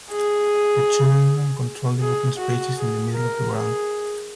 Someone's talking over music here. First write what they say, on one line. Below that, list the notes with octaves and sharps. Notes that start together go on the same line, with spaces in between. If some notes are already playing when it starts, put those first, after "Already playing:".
The two wingmen control the open spaces in the middle of the ground.
G#4
G#4
F#4
G#4
A#4
G#4